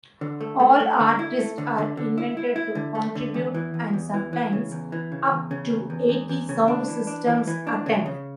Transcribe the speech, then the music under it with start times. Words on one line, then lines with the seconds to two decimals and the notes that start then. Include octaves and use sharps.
All artists are invited to contribute and sometimes up to eighty sound systems attend.
0.21 D3
0.41 A3
0.60 A3
0.80 A3
0.99 D3
1.19 E4
1.39 A3
1.58 D3
1.78 D3
1.97 D3
2.18 E4
2.37 E4
2.56 E4
2.75 D3
2.95 A3
3.15 D3
3.34 E2
3.54 E3
3.74 E2
3.93 E2
4.14 E3
4.33 E3
4.53 C#3
4.72 E2
4.92 E3
5.12 C#3
5.31 E2
5.51 C#3
5.70 E2
5.90 E2
6.09 E2
6.29 E2
6.49 C#3
6.68 D4
6.88 E3
7.07 D4
7.27 E3
7.47 E3
7.67 D4
7.86 C#3
8.06 C#3